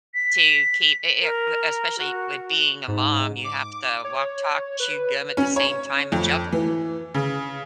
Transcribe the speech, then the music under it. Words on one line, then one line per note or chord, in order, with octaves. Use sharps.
to keep i it, uh, especially with being a mom, you have to walk, talk, chew gum at the same time and juggle.
B6
A#4
F#4
G#2
D6
C#5
B4
C#4
C#5
F2
E3
C#3